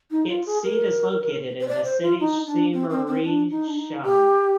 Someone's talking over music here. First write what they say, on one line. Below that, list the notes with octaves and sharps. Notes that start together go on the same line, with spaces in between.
Its seat is located in the city Simrishamn.
D#4
F4
G#4
A#4
C5
D5
C5
F4
D#4
D4
C4
C4
C4
D4
D#4
D4
D#4
G4